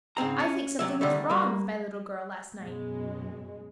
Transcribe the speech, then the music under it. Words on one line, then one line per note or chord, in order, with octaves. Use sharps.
I think something was wrong with my little girl last night.
G#2 C#3 C4 A#5
C#4
C3 D#3 F#3 E5
D3 D#3 G3 A3
G3 A#3
F#2 B2 G#3